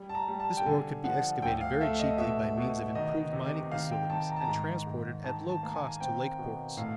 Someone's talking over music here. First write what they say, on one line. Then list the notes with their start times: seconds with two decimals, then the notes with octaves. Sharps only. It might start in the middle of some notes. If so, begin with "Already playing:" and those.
This ore could be excavated very cheaply by means of improved mining facilities, and transported at low cost to lake ports.
Already playing: G3
0.09 A5
0.15 A#5
0.28 G3
0.40 A5
0.57 G5
0.66 D3 G#5
1.04 F3 F#5
1.42 D2 G5
1.61 F5
1.81 A3 E5
2.00 D#5
2.18 B2 E5
2.57 B2
2.95 D#3 D#5
3.33 C3
3.72 D#3 F5
3.91 G5
4.10 D#3 A5
4.29 A#5
4.36 A5
4.44 G#2 A#5
4.87 G#2
5.24 D#3 A5
5.49 A5
5.63 A#3
5.75 G#5
6.00 C4 G5
6.39 B2
6.77 A2 F5